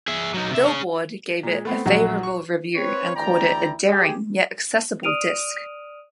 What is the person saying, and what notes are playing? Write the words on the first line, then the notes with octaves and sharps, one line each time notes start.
Billboard' gave it a favorable review and called it "a daring yet accessible disc".
G#4 E5
F#3 D#4
C3 E5
C#4 G#4
A#2 G#3
A3 B3 C4
A#1 F#3 F#4
C#6
C4 B4 C#5
D2 E3 E4 D5 G5 A#5
G4 G#4
D5 D#6 F6 D7 D#7 F7